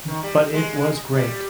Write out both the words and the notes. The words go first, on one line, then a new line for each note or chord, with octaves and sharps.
But it was great.
D#3
G3
G#3
G3